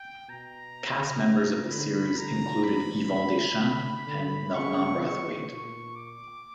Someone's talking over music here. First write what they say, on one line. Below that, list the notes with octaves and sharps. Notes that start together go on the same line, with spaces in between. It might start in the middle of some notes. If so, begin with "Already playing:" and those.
Cast members of the series included Yvon Deschamps and Normand Brathwaite.
Already playing: G5
B2 A#5
C#3
D3 B5
D3 A#5
E3 B5
D3
D3
C#3 C#6
B2 C#6
A#2 C#6
D6